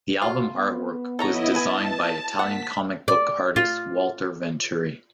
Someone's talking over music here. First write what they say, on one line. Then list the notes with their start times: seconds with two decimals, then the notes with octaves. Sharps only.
The album artwork was designed by Italian comic book artist Walter Venturi.
0.22 F4 F#4
0.56 B3
1.19 E4 A4 C#5 D#5 A#5
1.55 B4 G#5 A5
2.39 A#3 F#5 B6
3.08 D5
3.56 F4